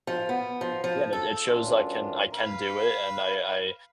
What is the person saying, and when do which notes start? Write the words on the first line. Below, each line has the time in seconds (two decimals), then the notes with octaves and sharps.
Yeah, and it shows I can I can do it, and I I,
0.07 F3
0.29 B3
0.61 F3
0.84 F3
1.13 A4
1.44 F#2 A2 E3 D4 F4
2.33 B4 F5